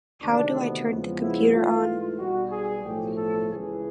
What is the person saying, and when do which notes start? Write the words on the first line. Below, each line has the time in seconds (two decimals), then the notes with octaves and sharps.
How do I turn the computer on?
0.22 D2 C3 D#3 D4
0.55 B3
0.87 E2 C#3 F3 G#3 B3
1.20 E4
1.52 G#2 E3 A3 F4
2.19 B1 B2 G3 F#4
2.51 G#4
2.84 B1 A2 F3 A3 G4
3.17 A4
3.50 C#2 C#3 E3 G#4